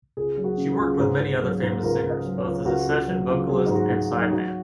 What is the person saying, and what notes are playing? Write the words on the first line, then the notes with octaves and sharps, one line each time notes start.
She worked with many other famous singers, both as a session vocalist and sideman.
C#2 G#4
F#3
F#4
C#3
G#4
C#2
G#2 C#5
G#2
F#3
G#2
C#2 A#4
C#2
D#5
F#3
C#5
C#2
C#2 F#4
C#2
F#3
C#2
F#3 G#4
F#4
G#2 D#4
F#4
G#2
F#3
D#4
F#3 F#4